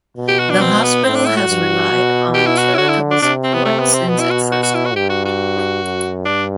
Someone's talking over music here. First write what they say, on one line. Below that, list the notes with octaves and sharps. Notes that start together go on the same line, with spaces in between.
The hospital has relied on charitable support since it first opened.
B2
G4
F#4
D4
C4
B3
A2 C4
D4
E4
F#4
G2
B2
G4
E4
F#4
E4
D3 F#4
E4
D4
C3 D4
C4
B3
A3
B3
C4
B2 B3
E4
F#4
F#4
F#4
E4
F#4
G2 G4
F#4
F#4
F#2
G2 D4